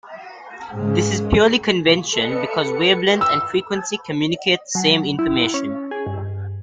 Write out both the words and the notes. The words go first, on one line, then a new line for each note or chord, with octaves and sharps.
This is purely convention because wavelength and frequency communicate the same information.
G#2 C#3 G#3
A4 B4 C#7
E6
F#3
E4
C#4
G#4
G2